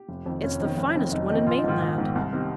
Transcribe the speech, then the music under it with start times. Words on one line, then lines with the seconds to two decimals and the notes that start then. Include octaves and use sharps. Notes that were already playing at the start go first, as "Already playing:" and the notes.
It's the finest one in Maitland.
Already playing: G4
0.09 F1
0.26 F2 D#3
0.43 F1 C#4
0.60 F2 D#3 D#4
0.77 F1 C#4
0.95 F2 D#3
1.12 F1 D#4
1.29 F2 D#3 D#4
1.47 A#1 F4
1.58 D#4
1.64 G#2 D#3 F4
1.82 A#1
1.98 G#2 D#3
2.15 C2
2.33 C3 D#3